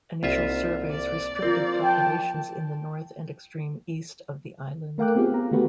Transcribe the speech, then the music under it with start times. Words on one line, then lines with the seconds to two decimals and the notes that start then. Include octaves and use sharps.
Initial surveys restricted populations in the north and extreme east of the island.
0.23 C2 A#3 C4 D#4 F4 E5
0.90 D5
1.42 F3 C4 F4 A#4
1.82 G5 A5
4.98 A3 A#4 F5 G5 D6 F#6
5.16 B3 C4 F4 G4 G#4 F5
5.34 A#5
5.52 D#3 A3 B3 F#4 G4 B4